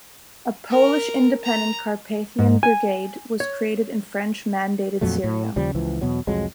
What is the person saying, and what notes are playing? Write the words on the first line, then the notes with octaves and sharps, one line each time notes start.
A Polish Independent Carpathian Brigade was created in French-mandated Syria.
A#4
A#5
G#2
G#5
C#5
F2 A#2 F#3 A3
A2
D#2 C#3 F3 G3
C#2 E3 F3
E2 B2 F#3
C2 F2 F#3 G#3